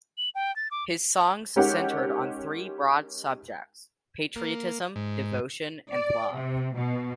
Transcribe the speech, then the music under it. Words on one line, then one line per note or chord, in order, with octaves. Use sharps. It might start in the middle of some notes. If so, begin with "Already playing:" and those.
His songs centred on three broad subjects - patriotism, devotion and love.
F#7
G5
A6
D6
G#3 C#4 D#4 G4 A#4 F#5
A#3
G#2
D5
C3
B2